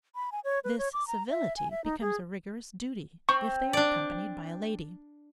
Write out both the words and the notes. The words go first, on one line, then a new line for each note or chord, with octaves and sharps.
This civility becomes a rigorous duty if they are accompanied by a lady.
B5
G#5
C#5
B4
C#5
D6
A#5
E5
G#5
E5
D#4
G#4
C4 C#6
D4 D5